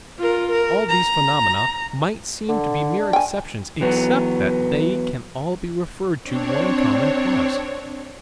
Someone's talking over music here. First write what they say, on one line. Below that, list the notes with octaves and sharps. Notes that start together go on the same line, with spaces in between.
All these phenomena might seem to be mere exceptions, except that they can all be referred to one common cause.
F4 A#4
A#4
A#5
D3
D4
G5 G#5
E3 F#3 B3
C4 D4 C#5